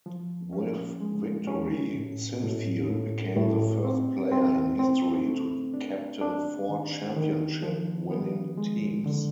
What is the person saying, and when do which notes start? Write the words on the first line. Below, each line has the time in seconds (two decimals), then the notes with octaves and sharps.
With victory, Sinfield became the first player in history to captain four championship-winning teams.
0.06 F3
0.53 C#4
1.01 G#3
1.47 C#4
1.95 A2
2.42 A2
2.90 A2
3.37 A2
3.85 C4
4.32 C4
4.79 C4
5.27 A3
5.74 D4
6.21 D4
6.69 D#3
7.16 D#3
7.63 F3
8.11 B3
8.57 G#3
9.06 D3